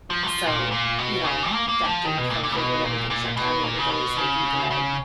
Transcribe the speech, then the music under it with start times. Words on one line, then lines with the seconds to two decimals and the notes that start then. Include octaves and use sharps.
So, you know, back during COVID when everything shut down and everybody was making bread.
0.10 F3
0.23 F#3
0.27 F3
0.45 A#2
0.72 A#2
0.98 B2
1.24 C#3
1.52 A#3
1.69 A#3
1.86 F3
2.05 D#3
2.17 B2
2.30 A#2
2.43 A#2
2.52 C#3
2.57 B2
2.84 A#2
3.10 A#2
3.37 B2
3.64 A#2
3.78 C#3
3.90 B2
4.17 C#3
4.70 C#3